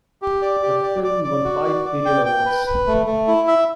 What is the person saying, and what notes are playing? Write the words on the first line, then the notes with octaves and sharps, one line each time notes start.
The film won five Ariel Awards.
G4
D5
G4
D5
D5
D5
F#4
D5
D5
G5
G5
B4
B4
A3
A3
E4
E5